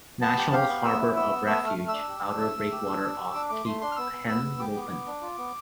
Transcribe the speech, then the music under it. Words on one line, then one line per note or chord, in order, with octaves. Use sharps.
National Harbor of Refuge, outer breakwater off Cape Henlopen.
B3 A5
G4
G4 F5
B3
B3 E6
E4
B3 E6
B3
A3 E6
A3 F6
A3
E6
D4
G4
D4
A3
A3
G4
D4
D4
G4
D4 D6
A3 D6
A3 C6
D4 C6
F6
B3 E6
B3
B3 E6
B3
G4 D6
B3
B3
D4
F4
B3